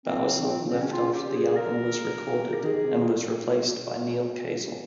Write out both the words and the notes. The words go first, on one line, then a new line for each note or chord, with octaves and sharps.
Bowersock left after the album was recorded, and was replaced by Neal Casal.
A#2 C4
C3
D#3
F3 C4
D#3
C#3 C4
C#3 C#4
C#3 F4
G4
G#4
A#4
G4
D#3 G#4
D#3
C3
A#2